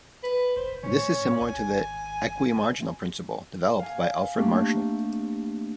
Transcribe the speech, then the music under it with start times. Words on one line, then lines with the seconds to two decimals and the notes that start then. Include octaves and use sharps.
This is similar to the "equi-marginal principle" developed by Alfred Marshall.
0.23 B4
0.56 F1 C5
0.83 A2 C#4
1.41 G#1 G#5
3.80 F5 G#5
4.36 A3 A#3 C4 D4 G4